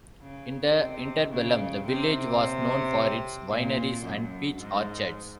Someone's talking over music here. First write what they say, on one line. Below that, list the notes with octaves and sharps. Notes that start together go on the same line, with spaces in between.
In the interbellum, the village was known for its wineries and peach orchards.
C#3
C3
C#3
C3
A#2
F#2
G#2